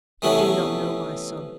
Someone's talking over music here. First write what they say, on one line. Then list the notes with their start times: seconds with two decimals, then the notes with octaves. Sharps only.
You do not know my son.
0.22 C3 E3 A3 B3 C#4